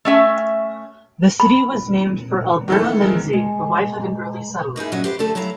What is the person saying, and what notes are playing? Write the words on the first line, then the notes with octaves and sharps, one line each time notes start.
The city was named for Alberta Lindsey, the wife of an early settler.
A3 C#4 E5
B5
D#3 E3 A4
G#3 A#4
G#3
A#3 D#4 E4 G#4
A#2 F#3 C#4 F#4 D#5
G4 B4 C5
D3 A3 A4
F#3 E4 F5 A#5